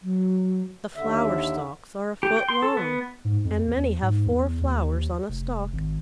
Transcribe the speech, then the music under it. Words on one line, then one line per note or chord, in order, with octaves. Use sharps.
The flower-stalks are a foot long, and many have four flowers on a stalk.
F#3
D#2 D3 E5
G4
G5
C6
A4
B3
G#2
F2
E2
G#2
E2
D#2
F1
G#1